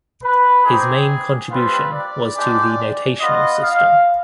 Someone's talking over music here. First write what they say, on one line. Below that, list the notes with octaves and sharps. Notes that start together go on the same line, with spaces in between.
His main contribution was to the notational system.
B4
C4 D#4 G4 G#4
G3 C4 F4 B4
D5
G#3 D4 G4
B3 F4 D#5
F5